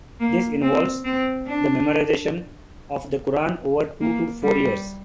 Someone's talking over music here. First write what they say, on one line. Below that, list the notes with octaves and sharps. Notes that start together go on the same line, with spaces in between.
This involves the memorization of the Quran over two to four years.
A#3
C4
C4
D4
A#3
G3